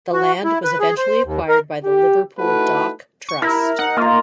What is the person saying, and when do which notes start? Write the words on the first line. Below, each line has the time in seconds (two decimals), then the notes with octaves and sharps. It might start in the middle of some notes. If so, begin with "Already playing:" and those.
The land was eventually acquired by the Liverpool Dock Trust.
0.13 F#4
0.44 E4
0.64 B4
0.80 G#4
0.97 C5
1.24 D#2
1.48 A#4
1.85 G4
2.39 A3 D#4 E4 F#4 A4 B4
3.29 C#6
3.42 E4 A#4
3.79 D#4 F#5
3.97 A#3 F4 A#5